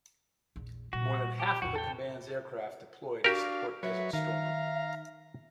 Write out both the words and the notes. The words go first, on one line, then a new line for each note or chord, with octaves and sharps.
More than half of the command's aircraft deployed to support Desert Storm.
A#1 E2
A#2 G3 F#4
G4
E2 A2 F#4
A4 G5
D4 F#4 G4 A#4 F5
F#3 B4 C#5 E5
D#3 E5 F5 A#5